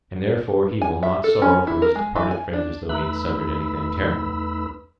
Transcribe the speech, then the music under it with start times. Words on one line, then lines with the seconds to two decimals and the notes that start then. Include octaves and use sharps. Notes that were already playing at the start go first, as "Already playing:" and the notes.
And therefore he will not sorrow for his departed friend as though he had suffered anything terrible?
0.82 G#5
1.03 E5
1.24 A4
1.42 C#4
1.67 E4
1.82 A#4
1.95 G#3
2.16 E3
2.31 G#5
2.53 D4
2.89 E2 A3 D#4 B4 B5 E6